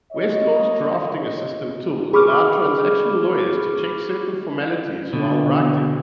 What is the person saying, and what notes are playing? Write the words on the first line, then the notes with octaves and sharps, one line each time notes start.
Westlaw's drafting assistant tool allows transactional lawyers to check certain formalities while writing.
C#5 D#5
G#4 B5 C#6 D6 F6
B2 D3